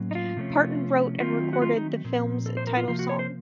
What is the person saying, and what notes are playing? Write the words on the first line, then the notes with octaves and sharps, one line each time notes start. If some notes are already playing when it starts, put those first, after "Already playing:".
Parton wrote and recorded the film's title song.
Already playing: A2 F#3 A#3 C#4
D#4
F4
C3 F3 A3 C#4
D#3 F#3 A3 C4 F4
F#4
F4
D#4
A#2 F3 C4
A4
C5
A#4
F4
C3 F3 A#3 F4
F#4
C#5
C5